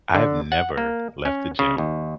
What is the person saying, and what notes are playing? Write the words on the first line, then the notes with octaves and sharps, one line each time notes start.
I have never left the gym
D3
F#5
A#3
C#4
C#3
D#2